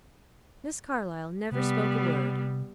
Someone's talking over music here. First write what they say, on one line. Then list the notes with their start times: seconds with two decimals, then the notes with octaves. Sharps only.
Miss Carlyle never spoke a word.
1.52 C3 G3 B3